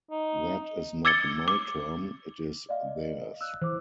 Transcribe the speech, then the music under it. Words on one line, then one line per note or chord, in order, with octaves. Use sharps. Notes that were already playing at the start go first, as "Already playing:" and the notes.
That is not my term, it is theirs.
D#4
D6 E6 G#6 A6 C#7 G7
D6
D5 D#5 F5
E6 F#6
E3 C5 D6